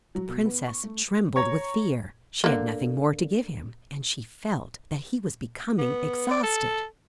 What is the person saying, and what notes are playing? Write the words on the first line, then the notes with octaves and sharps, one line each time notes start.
The princess trembled with fear; she had nothing more to give him, and she felt that he was becoming exhausted.
F#3
B2
B3
C#6
A3
C#5 A#5 C#6
D3 A#3
B3
D5
A4